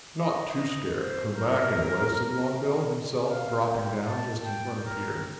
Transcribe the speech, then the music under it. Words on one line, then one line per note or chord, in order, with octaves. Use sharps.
"Not too scared to come back, anyway," said Longbill himself, dropping down just in front of Peter.
D#5
C5
A#4
F5
G5
A5
G5
A#4